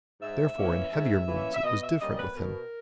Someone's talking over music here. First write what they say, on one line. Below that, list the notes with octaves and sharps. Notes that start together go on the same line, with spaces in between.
Therefore in heavier moods it was different with him.
G#2 E5
E3 A#3 C#4
G#2
E3 A#3 C#4
E5
B2 D#5
E5
G3 A#3 C#4 D#5
B4
B2 A#4